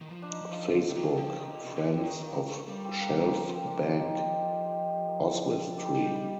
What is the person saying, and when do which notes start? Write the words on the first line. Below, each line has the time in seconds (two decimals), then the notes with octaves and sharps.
Facebook - Friends of Shelf Bank, Oswestry.
0.01 D#3
0.09 F3
0.22 D4
0.30 D#4
0.41 F3
0.51 D4 F4
0.74 D3 F4 A4
0.89 G4 A#4
0.96 D#3
1.06 F4 A4
1.17 F3 D4 F4
1.38 D#3 D#4
1.51 D3 D4
1.64 C3
1.71 D4
1.76 D3
1.87 C4
2.03 D#3 A#3
2.26 A#3
2.39 A#3
2.47 A3
2.68 G3 A#3
2.85 C4
3.01 A#3
3.18 A#3
3.33 F3 A#3
3.50 C4
3.67 D4
3.82 D#4
3.99 D#4 G4
4.21 D#4 G4
4.42 F4 A4
4.64 D#4 G4
4.86 A3
5.08 A#3
5.30 C4
5.45 D4
5.62 D4 F4
5.73 D#4 G4 A4
5.95 G3